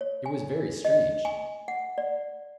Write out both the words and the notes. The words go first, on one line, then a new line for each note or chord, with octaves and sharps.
It was very strange!
C#5
G#5
D#5
G#5
F#5
D5